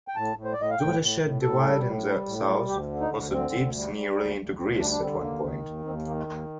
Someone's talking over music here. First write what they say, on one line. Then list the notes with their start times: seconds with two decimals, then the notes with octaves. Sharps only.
The watershed divide in the south also dips nearly into Greece at one point.
0.08 G5
0.16 A2 A5
0.37 A2
0.44 C5
0.53 D5
0.58 A2 D#5
0.70 F5
0.79 A2 G5
1.00 A2
1.21 A2
1.42 A2 A4
1.63 G3
1.84 A2
2.06 G3
2.26 A2
2.48 G3
2.69 D2 G4
2.90 D3
3.01 D#4
3.11 D2
3.32 D3 C4
3.53 D2
3.74 G3
3.95 G3
4.17 D2
4.38 D2
4.59 D2 C4
4.79 G3 D4
4.91 D4
5.01 D3 C4
5.22 D#2 A#3
5.43 D#3
5.65 D#2
5.85 D#2 C4
6.06 D#3 A#3
6.27 D#2